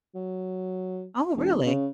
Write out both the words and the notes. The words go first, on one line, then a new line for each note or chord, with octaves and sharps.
Oh, really?
F#3
E1
C#3